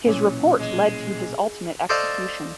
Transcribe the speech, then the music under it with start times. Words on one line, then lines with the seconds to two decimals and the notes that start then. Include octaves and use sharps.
His report led to his ultimate execution.
0.06 B1 A#2 E3 C#4
0.59 G#3
1.89 A4 C5 D5 D#5 F5 A5